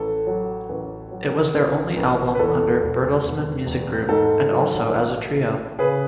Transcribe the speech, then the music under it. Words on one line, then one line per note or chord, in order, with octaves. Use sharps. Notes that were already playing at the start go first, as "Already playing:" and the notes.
It was their only album under Bertelsmann Music Group, and also as a trio.
Already playing: A1 A4
F#3
A1
F#3
A1
A1
B4
E2 A4
E1
E1
E1
G#2 A4
F#3
A1
A1
C#3 G#4 B4